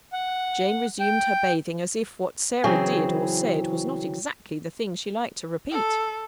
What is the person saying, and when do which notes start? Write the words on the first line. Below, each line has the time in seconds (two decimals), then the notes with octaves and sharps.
Jane resumed her bathing, as if what Sarah did or said was not exactly the thing she liked to repeat.
0.13 F#5
1.00 G5
2.64 C#3 E3 F#3 C4 G#4
5.72 A4